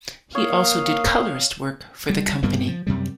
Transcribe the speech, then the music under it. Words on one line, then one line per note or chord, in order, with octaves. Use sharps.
He also did colorist work for the company.
A#3 C#5 F5 D#6
G3
G2 B2 G3 A#3
F3
F#2 C3 G3